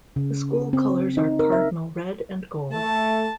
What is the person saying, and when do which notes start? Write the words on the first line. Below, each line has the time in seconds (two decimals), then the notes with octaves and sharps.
The school colors are cardinal red and gold.
0.16 C#3
0.73 C4
1.17 D#4
1.39 A#4
1.52 E5
2.72 A3 A5